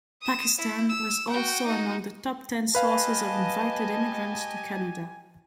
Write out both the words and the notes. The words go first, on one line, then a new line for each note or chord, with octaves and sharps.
Pakistan was also among the top ten sources of invited immigrants to Canada.
D#6 E7
E4
E6
F#4 G5
D#4 F#4
G4 B4 D#5 F5 G#5 A5 B5